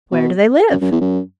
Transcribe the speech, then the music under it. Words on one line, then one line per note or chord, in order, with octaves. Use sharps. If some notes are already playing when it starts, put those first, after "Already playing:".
"Where do they live?"
B2
F#2
F#2
E2
F#2